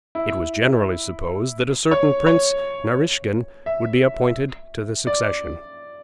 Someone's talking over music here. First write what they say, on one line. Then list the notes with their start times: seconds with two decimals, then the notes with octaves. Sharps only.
It was generally supposed that a certain Prince Naraskin would be appointed to the succession.
0.15 E4
1.91 C#5
2.27 C#5
3.66 E5
5.07 D5